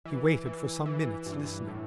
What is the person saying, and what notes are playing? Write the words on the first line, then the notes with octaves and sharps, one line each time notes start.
He waited for some minutes listening.
E3
E3
E3
G2
A2